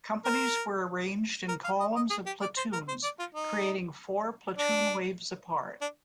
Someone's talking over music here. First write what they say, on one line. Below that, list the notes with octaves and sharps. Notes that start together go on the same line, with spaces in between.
Companies were arranged in columns of platoons, creating four platoon waves apart.
A#4
A#4
F5
D#5
D#5
G#4
G4
D5
C5
A#4
C5
D5
F4
D#4
D4
D4